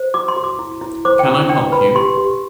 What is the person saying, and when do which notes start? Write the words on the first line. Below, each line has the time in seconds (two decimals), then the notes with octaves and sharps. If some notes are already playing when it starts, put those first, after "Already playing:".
Can I help you?
Already playing: C5
0.14 F#4 D6
0.28 C6
0.36 F#4
0.44 D6
0.59 E4
0.81 E4
1.05 C5 D6
1.19 G5
1.27 E4
1.49 D4 G5
1.72 B4 B5
1.95 G4 C6
2.18 G4